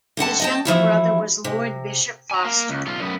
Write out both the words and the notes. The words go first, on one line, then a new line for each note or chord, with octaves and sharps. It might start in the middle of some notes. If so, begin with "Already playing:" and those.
His younger brother was Lord Bishop Foster.
D3 C4 F#5 A5
D#5 G5 A5
E3 F3 E4 F#4
C3
G#5 A#5
A#3 F5
C#2
B1 F4
F#2 B3